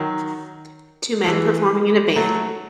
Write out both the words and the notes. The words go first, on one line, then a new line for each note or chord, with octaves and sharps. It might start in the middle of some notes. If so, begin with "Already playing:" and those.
Two men performing in a band.
Already playing: D#3 F#3
E3 G#3
F#3 A3